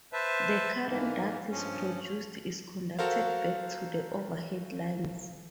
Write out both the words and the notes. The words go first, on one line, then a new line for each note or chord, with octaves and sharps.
The current that is produced is conducted back to the overhead lines.
B4 C5 E5 A5
G#2 E3 A#3
G2 F3 C#4
F#4 A4 A#4 C5 F5